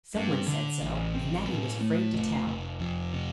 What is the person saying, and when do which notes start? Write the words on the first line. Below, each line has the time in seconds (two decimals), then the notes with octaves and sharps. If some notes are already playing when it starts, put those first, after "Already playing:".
"Some one said so; and that he was afraid to tell."
0.15 G2
0.48 D3
0.82 A1
1.15 C4
1.47 A2
1.81 A3
2.14 F1
2.47 F1
2.80 F2
3.13 C3